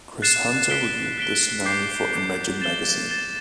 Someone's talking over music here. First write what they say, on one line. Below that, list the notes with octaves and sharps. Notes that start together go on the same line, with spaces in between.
Chris Hunter reviewed the scenario for "Imagine" magazine.
F#6 A6 C7 E7
F#6 B6 D7 G7
F#6 B6 D7 G7
D6 G6 C7
D6 G6 C7
A6 E7 G7
A6 E7 G7